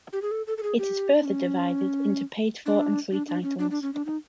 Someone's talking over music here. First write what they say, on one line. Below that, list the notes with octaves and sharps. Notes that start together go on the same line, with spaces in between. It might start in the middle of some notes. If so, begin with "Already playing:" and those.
It is further divided into paid for and free titles.
G4
G#4
A4
A4
A4
G#4
G4
D4
C#4
D4
D4
D4
C#4
D4
D4
C#4
D4
D#4